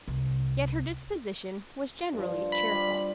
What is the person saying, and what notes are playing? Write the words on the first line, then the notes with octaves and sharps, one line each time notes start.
Yet her disposition was generally cheerful.
C2
G2 F3
B5
G3